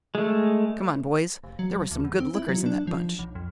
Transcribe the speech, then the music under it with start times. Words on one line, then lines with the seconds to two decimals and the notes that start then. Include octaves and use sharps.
"Come on, boys--there were some good lookers in that bunch."
0.15 G#3 A3
1.44 F1
1.59 F#3
1.71 D1
1.91 D2
2.04 E2
2.20 C4
2.35 E4
2.49 F#3
2.66 D4
2.87 F3
3.19 B1
3.35 F2